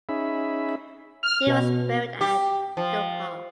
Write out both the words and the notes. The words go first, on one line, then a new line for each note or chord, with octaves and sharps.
He was buried at Youghal.
C#4 D#4 G#4 E5 B5
F6
B2
G4
F3